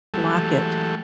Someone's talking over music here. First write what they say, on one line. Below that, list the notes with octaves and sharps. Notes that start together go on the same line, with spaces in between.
Lock it.
E3 F#3 G#3 A3 G4 A4